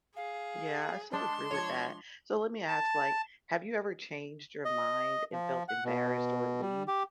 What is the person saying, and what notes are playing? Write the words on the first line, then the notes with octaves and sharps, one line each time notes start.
Yeah, I so agree with that, so, let me ask, like, have you ever changed your mind and felt embarrassed or relieved?
G#4 F5
G#3 D4 G5 A5 C6
F3 C#5 G#6
A5
D#5
F3
F#5
B2
G3
G4